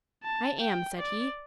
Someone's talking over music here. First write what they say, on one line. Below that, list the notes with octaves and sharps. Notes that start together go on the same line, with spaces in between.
"I am," said he.
A5
G5
D5